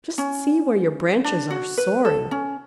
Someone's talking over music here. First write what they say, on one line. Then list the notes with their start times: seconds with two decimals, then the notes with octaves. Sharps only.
Just see where your branches are soaring.
0.18 C#4
1.24 D4
1.51 F#4
1.78 B4
2.05 A4
2.31 C#4